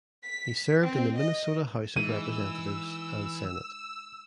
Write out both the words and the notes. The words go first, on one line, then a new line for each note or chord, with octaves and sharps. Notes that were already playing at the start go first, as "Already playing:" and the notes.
He served in the Minnesota House of Representatives and Senate.
B6
C4
D#5
E3 G#3 D#4 E6 D#7